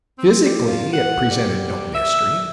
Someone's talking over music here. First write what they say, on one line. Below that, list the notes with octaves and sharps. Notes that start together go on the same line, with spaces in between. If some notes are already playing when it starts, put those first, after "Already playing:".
Physically it presented no mystery.
C4
G3
F4
F#5
G3
E5